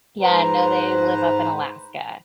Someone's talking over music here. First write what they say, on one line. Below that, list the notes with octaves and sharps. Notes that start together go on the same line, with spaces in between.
Yeah, no, they live up in Alaska.
G#2 B4 C5 A#5